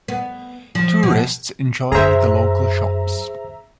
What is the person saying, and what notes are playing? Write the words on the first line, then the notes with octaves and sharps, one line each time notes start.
Tourists enjoying the local shops.
B3
F3
B2
F#2 G#4 C5 E5 A#5